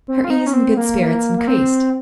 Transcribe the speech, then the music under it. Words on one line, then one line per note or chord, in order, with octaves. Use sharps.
Her ease and good spirits increased.
C4
F4
D#4
C#4
C4
A#3
A#3
A#3
C4